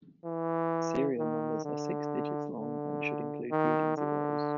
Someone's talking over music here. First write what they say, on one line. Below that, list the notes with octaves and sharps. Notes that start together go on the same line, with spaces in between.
Serial numbers are six digits long and should include leading zeros.
E3
D#3
D3
D3
D#3
D3